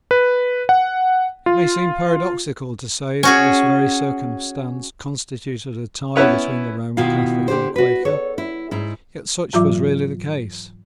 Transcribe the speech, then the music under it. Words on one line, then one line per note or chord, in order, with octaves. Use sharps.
It may seem paradoxical to say that this very circumstance constituted a tie between the Roman Catholic and the Quaker; yet such was really the case.
B4
F#5
F4
C#4 F#4 G#4
B3 C#4 E4 B4 C#5
B2 D#3 E4 F4 F5
D3 G4 C5
F#4 B4
A4 C#5
E4
G#2 E4
G#2 E3 F#3 F4 E5 D6